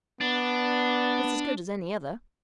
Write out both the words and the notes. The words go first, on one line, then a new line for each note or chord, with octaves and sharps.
"It is as good as any other."
B3 D4